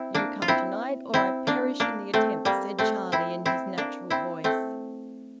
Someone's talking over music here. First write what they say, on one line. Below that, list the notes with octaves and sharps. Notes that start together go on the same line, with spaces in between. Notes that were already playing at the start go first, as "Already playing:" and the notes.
"You come to-night, or I perish in the attempt," said Charlie, in his natural voice.
Already playing: C4 E4
A#3 D4
F4
C4 E4
C4 E4
A#3 D4
A#3 D4
A3 C4
G3 A#3
A3 C4
C4 E4
C4 E4
A#3 D4
C4 E4
A3 C4